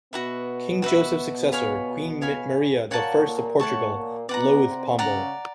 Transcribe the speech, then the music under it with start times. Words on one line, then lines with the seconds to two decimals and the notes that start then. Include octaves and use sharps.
King Joseph's successor, Queen Maria the First of Portugal, loathed Pombal.
0.13 B2 B3 F#4 B4 E5
0.82 F#4 B4 E5
1.52 C#5 F5 G#5 B5
2.22 C#5 F5 G#5 B5
2.91 A#2 A#3 C#5 F#5 A5 C#6
3.25 A#2 A#3
3.59 A2 A3 C#5 F#5 A5 C#6
3.94 A#2 A#3
4.29 B2 B3 D5 F#5 A#5
4.64 C3 C4
4.98 C#3 C#4 D5 F#5 A#5